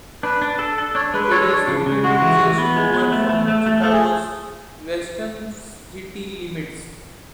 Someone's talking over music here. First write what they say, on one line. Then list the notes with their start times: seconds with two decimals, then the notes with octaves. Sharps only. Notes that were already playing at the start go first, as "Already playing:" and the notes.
It is located just over from Chicago's western city limits.
0.23 D4 B4
0.42 D4
0.59 A4
0.78 A4
0.95 D4 C#5
1.14 G#3 B4
1.24 B4
1.31 A4 C#5
1.49 D4
1.68 C#3
1.86 C#3
2.03 G#3 F#4
2.22 E3
2.39 E3
2.58 B3
2.76 G#3
2.93 B3
3.12 A3
3.29 A3
3.48 A3
3.66 A3
3.80 A3 A4
3.92 G#4